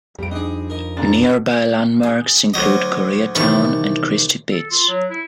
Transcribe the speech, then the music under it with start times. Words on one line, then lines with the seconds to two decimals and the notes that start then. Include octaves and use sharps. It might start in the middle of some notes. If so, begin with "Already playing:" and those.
Nearby landmarks include Korea Town and Christie Pits.
0.19 F2 G3 D7
0.31 D4 D#4 G#4 D#5
0.70 A#4 D#5
0.97 D#1 D4 F4 A#5 A6
2.03 G#4
2.54 D2 F#3 D#5
3.35 C2 D#3 E3 B3 A5 C#6
4.51 A4
4.71 F4
4.88 F#3
5.10 E4